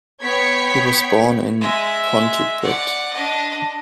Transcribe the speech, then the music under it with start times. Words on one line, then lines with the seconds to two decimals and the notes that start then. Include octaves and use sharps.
He was born in Pontypridd.
0.20 B3 C#5 G5 G#6 B6 C#7
1.61 G#3 E5
2.62 D5 F#5
3.13 D4 D#5